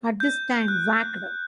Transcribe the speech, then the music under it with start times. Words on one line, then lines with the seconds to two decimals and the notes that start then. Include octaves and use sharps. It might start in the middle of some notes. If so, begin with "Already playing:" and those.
At this time Whacked!
0.20 G6
0.68 F#6